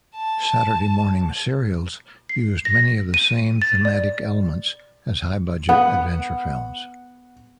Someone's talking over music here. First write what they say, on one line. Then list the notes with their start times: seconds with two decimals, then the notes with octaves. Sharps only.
Saturday morning serials used many of the same thematic elements as high-budget adventure films.
0.16 A5
2.29 C7
2.65 A#6
3.14 D#7
3.62 A6
3.85 D5
5.69 B3 F#5